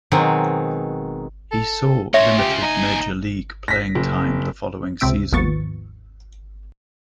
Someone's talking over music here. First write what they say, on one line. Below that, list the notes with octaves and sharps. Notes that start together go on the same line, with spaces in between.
He saw limited major league playing time the following season.
B2 D#3 F#3 G#3 C4
A4
C#4 F4 C#5 E5
G4
D#2 D#4 G#5
A#6 B6
F#1
C#2 C3 C4 E5 D7
G#1 D#2 F3 B3 C#6 A6